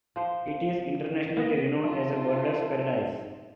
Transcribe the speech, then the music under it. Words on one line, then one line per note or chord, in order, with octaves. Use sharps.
It is internationally renowned as a "birders paradise".
F3 C5
A#3 B3 D#5
D#4 F4 E5 A5